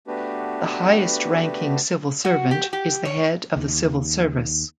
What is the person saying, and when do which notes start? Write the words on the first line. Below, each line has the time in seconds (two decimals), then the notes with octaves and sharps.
The highest ranking civil servant is the head of the civil service.
0.07 A3 B3 D4 F#4 G4 B4
2.25 F#4
2.51 G4
2.73 G4
3.05 C#5
3.57 D#2